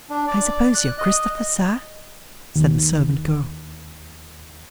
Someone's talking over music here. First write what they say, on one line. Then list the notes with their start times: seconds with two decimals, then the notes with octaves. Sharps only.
'I suppose you're Christopher, sir,' said the servant-girl.
0.10 D4
0.27 D5
0.75 F#6
0.98 D#5
2.55 D#2 D#3